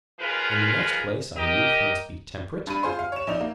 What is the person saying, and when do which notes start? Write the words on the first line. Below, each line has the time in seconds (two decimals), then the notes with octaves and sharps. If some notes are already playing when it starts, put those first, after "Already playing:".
In the next place our youth must be temperate?
0.20 D#2 F3 F4 G#4 A#4 B4
1.36 G4 A#4 D#5
2.67 G2 B5 D#7
2.83 F4 G#4 C5 C6
2.99 F5
3.12 C#5 E7
3.27 A#1 D#4 D5 F7
3.41 A#3